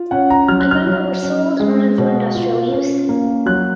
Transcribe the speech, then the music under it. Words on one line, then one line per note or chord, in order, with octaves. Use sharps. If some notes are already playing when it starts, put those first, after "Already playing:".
A number were sold on for industrial use.
Already playing: F4
C#4 F#5
A#5
F#3 F6
F#6
F6
F#3
C#4
G#3
B2
F4
C#4
A#3
F#3 F#6